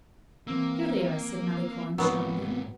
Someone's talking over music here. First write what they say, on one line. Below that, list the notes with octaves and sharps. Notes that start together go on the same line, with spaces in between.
"Here they are," said Malicorne, showing them.
E3 A#3 C4 E6
G#2 F#3 A#3 B3